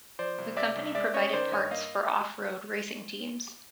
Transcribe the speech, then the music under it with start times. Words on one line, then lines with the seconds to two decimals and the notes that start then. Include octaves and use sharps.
The company provided parts for off-road racing teams.
0.19 F3 C5 D5
0.38 C2
0.57 C3 D5 E5
0.76 C2
0.95 G#3 D5 E5
1.14 C#4 C#5 D#5
1.33 D#3 C5 D5
1.52 G2 C#5 D#5
1.71 A#3 D#5 F5